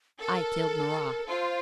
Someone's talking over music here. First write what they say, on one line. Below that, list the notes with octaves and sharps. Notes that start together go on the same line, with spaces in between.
"I killed Marat!"
A4 A#4
F4 C5